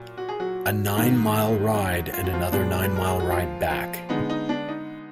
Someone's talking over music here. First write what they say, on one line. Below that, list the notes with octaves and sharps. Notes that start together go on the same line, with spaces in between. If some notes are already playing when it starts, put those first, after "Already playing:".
A nine-mile ride, and another nine-mile ride back.
Already playing: A#2 F#3
F#4
G#4
F#3 F#4
G#2 D#3 A#3
F#3 F#4
F4
F#4
F3 F4
A#2 G#3 B3 D4
B4
A#4
G#4
F#4
F3 F4
F3 F4
D3 G#3 B3 D#4
D#4
D4
D#4